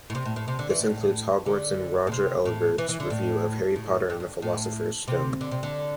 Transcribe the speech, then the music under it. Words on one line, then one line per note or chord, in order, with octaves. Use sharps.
This includes Hogwarts in Roger Ebert's review of "Harry Potter and the Philosopher's Stone".
A2
C3
A2
A2
C3
D3
E3
A2
D3
A2
C3
A2
E3
E3
D3
A2
A2
G2
G2
A2
C3
D3
C3
D3